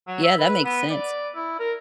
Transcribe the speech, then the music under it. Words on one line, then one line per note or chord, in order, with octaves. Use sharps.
Yeah, that makes sense.
F#3
E5
B4
B3
D5
E4
A#4